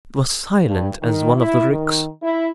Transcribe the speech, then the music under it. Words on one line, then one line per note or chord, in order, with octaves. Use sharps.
It was silent as one of the ricks.
G2
D#3
E4
D#3
E4